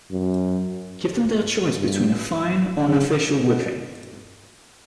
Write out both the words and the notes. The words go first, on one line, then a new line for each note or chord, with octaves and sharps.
Give them their choice between a fine or an official whipping.
F#2
G2
C#3
B2